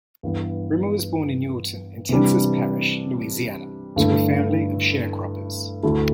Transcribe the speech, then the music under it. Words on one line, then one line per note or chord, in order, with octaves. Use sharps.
Brimmer was born in Newellton in Tensas Parish, Louisiana, to a family of sharecroppers.
G2 E3 B3
C3 E3 G3 D4
G2 D3 A3 E4 A4
D2 D3 A3 E4